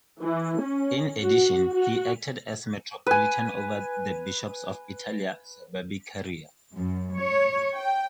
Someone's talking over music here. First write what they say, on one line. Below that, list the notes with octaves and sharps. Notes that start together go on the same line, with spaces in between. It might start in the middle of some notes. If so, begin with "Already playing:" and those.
In addition he acted as metropolitan over the bishops of Italia Suburbicaria.
E3
C#4
F#4
F#4
B4 G#5
F#2
C#5
G5